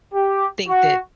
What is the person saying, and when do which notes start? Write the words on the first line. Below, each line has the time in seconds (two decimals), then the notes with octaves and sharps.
think that
0.14 G4
0.68 F#4